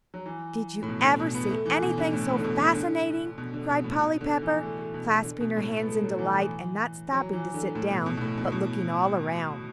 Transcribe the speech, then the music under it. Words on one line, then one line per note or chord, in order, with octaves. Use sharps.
"Did you ever see anything so fascinating?" cried Polly Pepper, clasping her hands in delight, and not stopping to sit down, but looking all around.
F#3
E3
A2
B2
B2
D3
B2
B3
A3
E3
B2
D3
A2
A2
D3
B2
D3
D3
B2
D3
B2
A2
B2
D3
E3
A3
A3
B2
B2
D3
B2
A2
B2
B3
A3
F#3
E3
E3
F#3
E3
D3
A2
B2
B2
B2
A2
B2
A2
B2